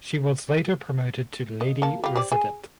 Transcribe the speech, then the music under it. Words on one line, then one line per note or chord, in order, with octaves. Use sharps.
She was later promoted to Lady Resident.
D#5
A#3 A5
G3 F4
G4 C5 D5
G#4 G#5